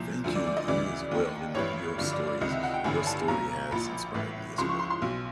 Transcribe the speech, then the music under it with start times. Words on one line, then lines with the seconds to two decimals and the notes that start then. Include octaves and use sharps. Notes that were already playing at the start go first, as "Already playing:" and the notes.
Thank you, you as well, and your stories. Your story has inspired me as well.
Already playing: C2 A#2 F3
0.24 D2 D3 F3
0.35 D5
0.47 D5
0.57 D#5
0.68 D2 C#3 E3 D5
1.11 D#2 D#3
1.55 A1 G2 E3 C#5
1.98 G#1 G2 D3 F3 D5
2.12 D5
2.27 D5
2.41 C#2 C3 D#3 D#5
2.52 E5
2.63 F#5
2.74 G5
2.84 A1 G2 D3 G#5
3.07 A5
3.28 B1 B2 A#5
3.71 A#1 A#2 F3 B5
4.14 A1 A2 E3
4.58 C#2 C#3 F3 C6
4.69 C#6
4.79 C6
4.90 C6
5.02 B1 B2